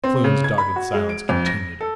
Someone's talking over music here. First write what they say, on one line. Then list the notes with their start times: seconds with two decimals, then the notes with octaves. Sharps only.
Kloon's dogged silence continued.
0.04 C4
0.24 C#3
0.44 G#6
0.58 B5
0.76 F#4
0.94 G#3
1.09 D7
1.29 F2
1.46 A#6
1.81 A4